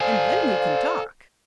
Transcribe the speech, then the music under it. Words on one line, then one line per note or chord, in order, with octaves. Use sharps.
And then we can talk.
A4 C5 D5 F5 G#5